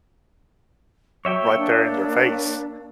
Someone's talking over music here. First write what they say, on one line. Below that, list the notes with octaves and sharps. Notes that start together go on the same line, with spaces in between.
right there in their face
F#3 C#5 E5 G5
A#3
D4